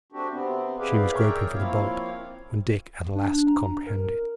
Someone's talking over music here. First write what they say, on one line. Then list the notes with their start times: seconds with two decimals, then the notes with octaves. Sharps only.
She was groping for the bolt, when Dick at last comprehended.
0.12 A3 C4 D4 F#4 G4
0.32 C3 B3 C4
0.79 E4 G4 G#4 B4 D5 F5
1.12 G#4 A#4 C#5 D5 E5 G5
1.55 F3 A#3 C4 E4 C#5 F5
3.15 D4
3.47 A#5
3.87 A#4